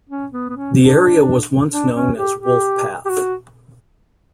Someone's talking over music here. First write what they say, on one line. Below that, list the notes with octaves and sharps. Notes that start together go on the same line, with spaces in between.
The area was once known as "Wolfpath".
C#4
B3
B3
C#4
D4
D4
C#4
G4
G4
G4
F#4